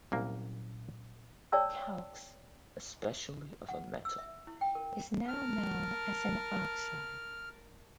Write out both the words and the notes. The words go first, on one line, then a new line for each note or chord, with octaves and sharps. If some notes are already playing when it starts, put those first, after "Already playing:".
Calx, especially of a metal, is now known as an oxide.
C2 A#2 F#3 A#3 C#4
C#5 D5 G5 A5 E6
F#5
E6
E5
E4
G5
A#4
A#4 A5 F6